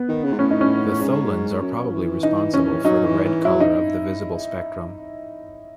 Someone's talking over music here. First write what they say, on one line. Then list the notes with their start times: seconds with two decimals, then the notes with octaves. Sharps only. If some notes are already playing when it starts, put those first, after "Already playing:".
The tholins are probably responsible for the red color of the visible spectrum.
Already playing: B3
0.09 D#3
0.24 C#3
0.33 G#2
0.39 A2 C#4
0.51 D#4
0.61 C#4
1.00 G#2 C#4
1.62 F#2
1.87 F#3
1.92 E3
2.23 D#4
2.54 C#4
2.84 F#3 D#4
3.05 E3
3.25 E3
3.45 F#3 E4
3.60 D#4